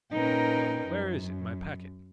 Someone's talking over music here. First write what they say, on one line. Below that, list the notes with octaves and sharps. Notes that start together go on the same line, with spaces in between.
"Where is it, my packet?"
A#2 C#4 D#4 A#4 B4 G5
F#2